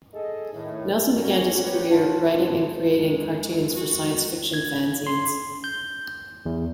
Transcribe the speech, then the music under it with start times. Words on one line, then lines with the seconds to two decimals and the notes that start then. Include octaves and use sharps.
Nelson began his career writing and creating cartoons for science fiction fanzines.
0.14 G#4 A4 D#5
0.53 A2 D#3
1.16 G#2 A#3 C#4 F#4
1.62 F4 G4 B4 C#5 G5
1.91 D#4 F4 F#4 A5
2.31 F#1 D#2 A#2 G#3 C#4 A5
2.87 F2 G#3
3.76 F#4
4.54 G#6
5.07 C6
5.64 G6
6.46 E2